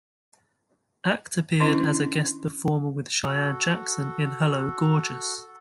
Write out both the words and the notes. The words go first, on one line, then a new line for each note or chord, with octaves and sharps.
Act appeared as a guest performer with Cheyenne Jackson in Hello, Gorgeous!
D#3 C#4 D4 E4 D#5 C6
F#4 A4